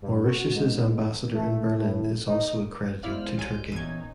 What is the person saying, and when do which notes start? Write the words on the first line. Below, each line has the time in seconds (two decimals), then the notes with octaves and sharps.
Mauritius’s ambassador in Berlin is also accredited to Turkey.
0.02 G2
0.24 F#4
0.53 G#2
1.34 A3
1.77 A2
2.26 D#4
3.03 G#3 B3 E4 C5 D5 F5 F6
3.38 C2 F#3 G4 D5 G#5 D#7
3.72 E2 A#2 C#4 D#4 G#6 D#7